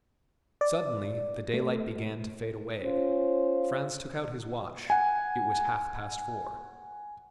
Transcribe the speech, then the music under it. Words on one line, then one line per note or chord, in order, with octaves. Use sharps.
Suddenly the daylight began to fade away; Franz took out his watch--it was half-past four.
D5
A3
C#4 F4 C5
F#5 G#5